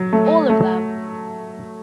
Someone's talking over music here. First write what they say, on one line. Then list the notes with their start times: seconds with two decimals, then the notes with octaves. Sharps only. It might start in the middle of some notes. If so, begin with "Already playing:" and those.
All of them!
Already playing: F#3
0.13 A3
0.50 A3